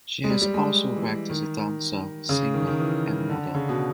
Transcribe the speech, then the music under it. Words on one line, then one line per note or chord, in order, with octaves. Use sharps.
She has also worked as a dancer, singer, and model.
G#3
G3
G3
G#3
E3
D#3
C#3
D#3
D#3
E3
D3
C#3
B2